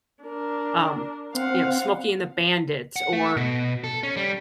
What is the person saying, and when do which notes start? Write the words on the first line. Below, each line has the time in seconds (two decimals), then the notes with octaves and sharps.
um, you know, Smokey and the Bandits or,
0.24 D4 A#4
1.35 C4 F5 F#5
2.96 F#5
3.13 A3
3.36 B2
3.84 A4
4.03 C#4
4.17 G3